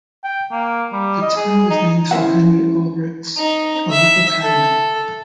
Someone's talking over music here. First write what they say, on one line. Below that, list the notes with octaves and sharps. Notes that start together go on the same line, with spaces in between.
The town was named for Henry Oelrichs, a local cattleman.
G5
A#3
G3
D#5
G#4
D#4
C#4 E4 A#4 C5 E5 F#5
D#4
E5
A4